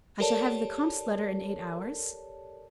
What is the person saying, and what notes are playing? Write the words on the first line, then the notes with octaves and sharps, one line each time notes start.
"I shall have the comte's letter in eight hours?"
G4 A4 A#4 C#5 D5 A5